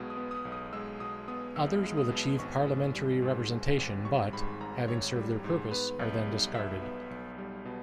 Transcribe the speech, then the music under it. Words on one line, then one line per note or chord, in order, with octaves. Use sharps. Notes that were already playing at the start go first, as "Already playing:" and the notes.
Others will achieve parliamentary representation but, having served their purpose, are then discarded.
Already playing: B1 B2 G#3 D#6
D#6
B3
D#6
B1
D#6
G#3 E6
B2 D#6
B3 D#6
B1 E6
G#3
D#6
B2
G#1 C#6
G#1
G3
G#2
G#1
G#1
G3 C#6
G#2 B5
G#1 A#5
G#1 C#5
G3
G#2
B3 B4
B1
G3
B2 E5
B3
B1
G3
B2